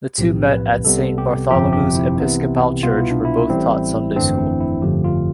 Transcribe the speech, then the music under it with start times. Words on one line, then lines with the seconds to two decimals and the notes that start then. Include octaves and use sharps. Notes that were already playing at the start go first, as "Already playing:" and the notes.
The two met at Saint Bartholomew's Episcopal Church where both taught Sunday School.
0.18 B1 A2 F3 C4 G4
0.52 B4
0.84 C2 C3 G3 B3 A4
1.18 G4
1.51 G1 F2 C3 F3 G4
1.73 G4
1.95 E4
2.17 C2 C3 E3 B3
2.83 C2 B2 B3 F4
2.97 E4
3.11 D4
3.25 E4
3.50 A1 A2 G3 C4
4.16 G1 F2 E3 A3 C4 D4
4.38 E4
4.61 E4
4.82 G1 F2 D3 F3 A3 G4
5.04 F4